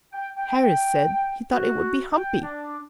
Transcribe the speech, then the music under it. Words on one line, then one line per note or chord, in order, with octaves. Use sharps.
Harris said he thought it would be humpy.
G5
G5
F#4
G5
D4